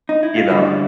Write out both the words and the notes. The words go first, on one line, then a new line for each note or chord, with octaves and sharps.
you know?
D#4
E4
F4
F#2 D3 G3 E4 F#4